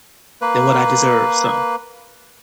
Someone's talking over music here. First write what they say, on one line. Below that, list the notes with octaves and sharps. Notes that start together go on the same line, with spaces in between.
than what I deserve, so
A#3 B4